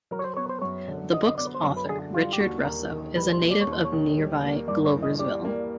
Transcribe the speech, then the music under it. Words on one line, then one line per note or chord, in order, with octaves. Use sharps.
The book's author, Richard Russo, is a native of nearby Gloversville.
F#3 A#4
C#5
C5
B3 C#5
C5
F#2 C#5
D3
F#3 D#5
D#5
B3 D5
C5
F#2 C#5
B4
D3 G#4
G3 F4
G4
D#2 F#4
D#2 A#4
D#3
G3 B4
C5
D#2
D5
C#5
D#2
C5
C#5
D#3
G3
A#3
G2 D5
C#5
E3
D#5
G3 D5
A#3